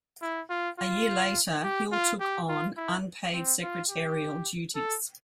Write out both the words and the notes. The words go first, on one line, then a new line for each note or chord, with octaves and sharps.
A year later Hill took on unpaid secretarial duties.
E4
F4
F4
G4
F4
G4
F4
E4
C4
F4
G4
A4